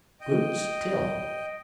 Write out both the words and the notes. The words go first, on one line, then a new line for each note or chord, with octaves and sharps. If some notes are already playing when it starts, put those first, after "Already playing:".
Good, still.
D#5 G5